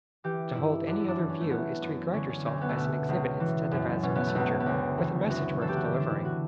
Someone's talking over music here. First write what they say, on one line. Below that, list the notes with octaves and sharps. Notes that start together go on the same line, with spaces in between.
To hold any other view is to regard yourself as an exhibit instead of as a messenger with a message worth delivering.
E3 G4
G2 E4
F#2 D4
E4
D4
E3
C#4
A3
E3 B3
F#2
D3 C#4
C#4
D2 C#4
B3
A3
B2 B3
C#2
E3
F#2
B2 C#4
B3
A3
C#2 B3
B3
D2 C#4
E3
F#2 F#4
E3 A4
G4
F#4
G4
D3
D4
E4
F#4